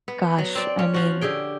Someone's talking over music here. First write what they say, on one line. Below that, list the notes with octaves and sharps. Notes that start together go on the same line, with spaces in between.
Gosh, I mean,
B3
F#3
C4 D5
C#4
F3 F#4
D3 G4 G#4 G5